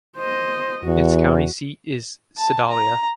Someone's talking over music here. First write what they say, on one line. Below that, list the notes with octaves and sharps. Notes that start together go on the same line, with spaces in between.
Its county seat is Sedalia.
C5 D#5
E2 F#4
A5
A#5